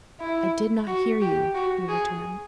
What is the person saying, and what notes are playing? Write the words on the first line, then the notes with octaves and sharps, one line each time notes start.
"I did not hear you," he returned.
E4
F#4
G4
F#4
G#4